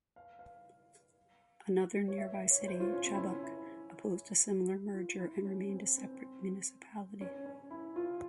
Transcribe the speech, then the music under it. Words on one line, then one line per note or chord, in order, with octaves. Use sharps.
Another nearby city, Chubbuck, opposed a similar merger and remained a separate municipality.
F5
F5
C#5
E5
E5
C#5
C#5
C5
F4
C#4
C4
E4
C#4
E4
F4
E4
C#4
C4
C4
C#4
C#4
E4
F4